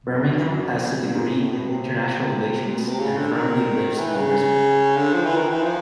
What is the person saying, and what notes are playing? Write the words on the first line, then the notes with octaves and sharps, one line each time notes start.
Birmingham has a degree in international relations and currently lives in Brisbane.
F#2
F2
F#2
G2
G#2
G#2
A2
B2
C3
A#2
B2
C3
C#3
D3
D#3
E3
C#3
D3
F3
E3
D#3
E3
F3